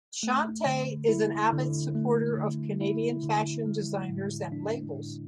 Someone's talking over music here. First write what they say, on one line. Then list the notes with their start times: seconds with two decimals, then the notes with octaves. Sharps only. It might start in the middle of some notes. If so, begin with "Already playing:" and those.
Chante is an avid supporter of Canadian Fashion Designers and labels.
0.23 A3
0.66 D3
1.09 E4
1.52 D3
1.95 A3
2.37 D3
2.81 E4
3.23 D3
3.66 G#3
4.09 A2
4.52 D4
4.95 A2